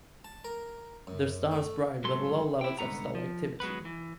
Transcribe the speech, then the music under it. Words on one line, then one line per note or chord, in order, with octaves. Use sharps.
The star is bright with low levels of stellar activity.
A5
A#4
F#2
A3
G#2 F#3 A3 A4 C6
E4 G5
C2 G#2 D3 B3 A#5
F3
F#3 G#3 B3 B4
E3